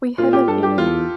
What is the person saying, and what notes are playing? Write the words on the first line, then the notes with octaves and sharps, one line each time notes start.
We haven’t any.
A#2 F4
G4
G2 A4
G4
E2 F4